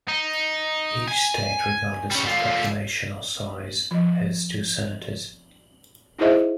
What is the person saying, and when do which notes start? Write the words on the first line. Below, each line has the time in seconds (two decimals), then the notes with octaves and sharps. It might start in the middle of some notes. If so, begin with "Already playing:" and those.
Each state, regardless of population or size, has two senators.
0.08 D#4
1.08 G#5
2.11 G3 C#4
2.26 D3 F4
3.91 F3 D#5
6.19 D#4 E4 G#4 C5 D#5 E5